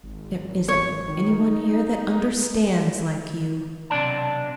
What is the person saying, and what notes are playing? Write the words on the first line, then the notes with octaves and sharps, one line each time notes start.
There isn't any one here that UNDERSTANDS--like you.
G#1
G#1 C#5
D#3
D#4
B1 C3 C#4 D4 D5 A5